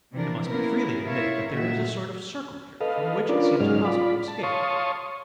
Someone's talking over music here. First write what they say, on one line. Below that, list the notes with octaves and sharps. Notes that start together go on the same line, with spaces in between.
It must be freely admitted that there is a sort of circle here from which it seems impossible to escape.
C3 E3 F3 D4 A#4
A#3 B3 C#4 E4 A#4 B4
E4 F4 A#4 C#5 E5 F5
F#2 A#2 D#3 A#3 F#4 E5
A4 B4 D#5 F5
C#4 D4 F4 A#4 B4 D5
G#2 F#3 G#3 C#4 D#4 F6
F4 D5 B5
A5
C#5 F5 A5 C6 C#6 D#6